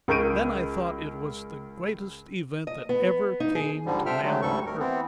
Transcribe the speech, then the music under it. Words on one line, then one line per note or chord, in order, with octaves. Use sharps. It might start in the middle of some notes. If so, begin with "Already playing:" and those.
Then I thought it was the greatest event that ever came to man on earth.
C#2 A#4 C#6 G6 D7 D#7
D#5
B3
D#4
G#4
G#2 D3 F3 G3
C3 A4 C5 E5 G5 F6
D#3 F#3 G#3 A3
D2 G#2 G3 A4 C#6
D2 A#4
E3 B3 C4